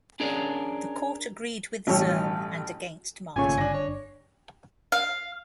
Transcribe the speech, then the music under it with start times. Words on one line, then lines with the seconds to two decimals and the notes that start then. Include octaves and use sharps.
The court agreed with Ziherl and against Martin.
0.20 C#4 D4 G#4 A#4 C#5 D5
1.87 A1 G2 B2 C#5 G5 E6
3.36 G#1 A#2 C#3 A3 C#5 G#5
3.58 G1 D4 A#6
3.74 C#5
4.92 F5